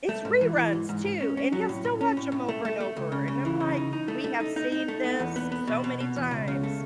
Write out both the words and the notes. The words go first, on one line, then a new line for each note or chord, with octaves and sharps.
eh, it's reruns too, and he'll still watch 'em over and over, and I'm like, "We have seen this so many times."
A3
G#2
E3
E3
G#2
G#2
G#2
C#4
C#4
F#3
A2
A2
C#4
A2
A2
A3
A3
A3
C#2
C#3
C#3
E3
C#3
D#4
D#4
A3
A3
D#4
D#4
D#4
A3
B3
E2
B3
B3
B2
B2
B2
E2
C#2
C#3
A3